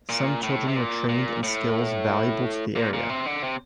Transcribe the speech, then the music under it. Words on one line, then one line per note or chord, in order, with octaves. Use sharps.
Some children were trained in skills valuable to the area.
A#2
A2
C3
A#2
A#2
A2
A#2
A#2
C3
D3
C3